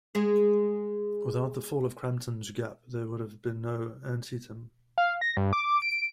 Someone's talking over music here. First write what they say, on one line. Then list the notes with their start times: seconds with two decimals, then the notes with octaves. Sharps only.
Without the fall of Crampton's Gap there would have been no Antietam.
0.15 G#3 G#4
4.98 F5
5.21 A#6
5.37 G2
5.53 D6
5.82 D7